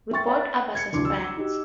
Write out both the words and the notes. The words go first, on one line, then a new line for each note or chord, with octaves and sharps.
We both abhor suspense.
E5 G5 C#6 A6
B4 C#5 E5 G5
G#6 C#7
F1 D2 D4 E4 C6 D6
E6
D#4 F#4 G4